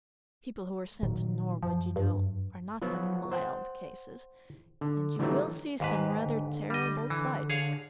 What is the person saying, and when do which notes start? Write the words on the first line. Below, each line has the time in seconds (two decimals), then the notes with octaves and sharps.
The people who are sent to Norwood, you know, are not the mild cases, and you will see some rather terrible sights.
1.03 A#2 D#3 F#3
1.63 F#2 F3
1.96 G2
2.82 F3 F#3 B3 F#4
3.32 C5 F#5 G5
4.81 D3
5.19 D3 E3 F#3 G3 A3 D#4
5.80 D#2 G#2 D#3 B4
6.24 D3
6.70 G3 D#5
7.10 E3
7.50 G#4 C#5 F5